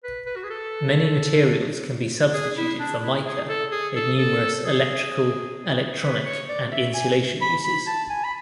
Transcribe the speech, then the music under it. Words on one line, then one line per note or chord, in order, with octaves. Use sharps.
Many materials can be substituted for mica in numerous electrical, electronic, and insulation uses.
B4
B4
F#4
G#4
A4
G#4
E4
D4
E4
G#4
A4
G#4
A4
A4
G#4
B4
C#5
D5
E5
G#5
B5
B5
A5
G#5
B5